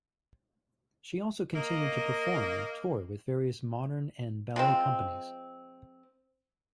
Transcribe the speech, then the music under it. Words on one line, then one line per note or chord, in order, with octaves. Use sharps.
She also continued to perform and tour with various modern and ballet companies.
A#3 D#5
F3 G#3 C4